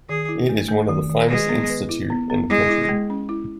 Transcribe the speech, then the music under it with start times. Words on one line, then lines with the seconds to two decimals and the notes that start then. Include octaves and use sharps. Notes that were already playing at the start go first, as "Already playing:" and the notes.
It is one of the finest institute in the country.
0.09 D#3 G#4
0.29 E4
0.49 A3
0.68 A3
0.89 D#3
1.10 D#3
1.29 G#3 B4
1.49 B3
1.70 B4
1.89 E4
2.10 B3
2.30 B3
2.49 G#3 E4
2.69 E4
2.89 G#3
3.10 C#4
3.29 E4